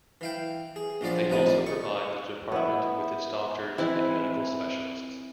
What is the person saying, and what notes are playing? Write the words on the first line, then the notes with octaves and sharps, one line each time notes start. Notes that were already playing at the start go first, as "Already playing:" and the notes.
They also provide the Department with its doctors and medical specialists.
E3 F5 G5
G#4
A#1 F3 F#3 F4 D5 C6
A1 C3 F3 D#4 B4 D#6
D5
C#6
B3 E4
E3 C4 E4